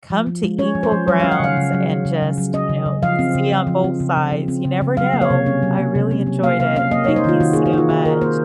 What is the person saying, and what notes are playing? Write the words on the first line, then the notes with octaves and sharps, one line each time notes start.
come to equal grounds and just, you know, see on both sides, you never know. I really enjoyed it. Thank you so much.
F3
F3
G#3
C#4 C#5
F3
C5
F3
F#3 C#5
F5
C#4
F#5
C#3 F5
C#3
F#3
C#4
C#3
C#3
F#3
C#4 D#5
C#3
C#3
F3 F5
C4
C#3
C#3
F3
C4
C#3
C#3
F3
C4
C#3
C#3
F#3 F5
A#3
C#5
C3
C#4
F#3
A#3
C3
C#4
F#3
A#3 F5
C3 F5
C#4 F5
A#3 D#5
C#5
D#4
C5
D#3 F4
D#3 F#4
G#4
A#3
F#4
D#4 F4
D#3 G#4
D#3 A#4
A#3 C5